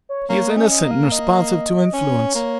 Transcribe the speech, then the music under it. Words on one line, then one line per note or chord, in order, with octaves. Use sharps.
He is innocent and responsive to influence.
C#5
A#3 C#5
D#5
C#4
D#5
A#3
F5
D#5
C#4 C#5
A#3